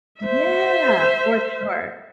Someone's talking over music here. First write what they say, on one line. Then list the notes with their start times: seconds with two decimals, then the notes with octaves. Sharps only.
Yeah! For sure.
0.21 C5 E5